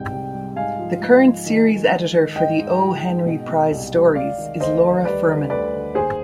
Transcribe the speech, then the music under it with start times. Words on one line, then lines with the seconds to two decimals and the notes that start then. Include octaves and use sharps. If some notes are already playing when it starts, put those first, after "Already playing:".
The current series editor for "The O. Henry Prize Stories" is Laura Furman.
Already playing: C2 G#2 C3 G5
0.12 C2
0.34 G3
0.56 G#2 F5 G#5
0.79 F3
1.01 G#3
1.24 F3
1.46 D#3
1.68 D#3
1.91 G#3
2.13 D#3
2.36 G#2 D#5 G5
2.59 G#2
2.81 F3
3.03 G#2
3.26 B2
3.49 B2
3.71 C2
3.93 G3
4.15 G#3 D5 F5
4.38 D#3
4.60 D2 C5 D#5
4.83 D#3
5.05 G3 B4 D5
5.27 D3
5.50 D2 B4 D5
5.73 D3
5.95 D#2 G#4 C5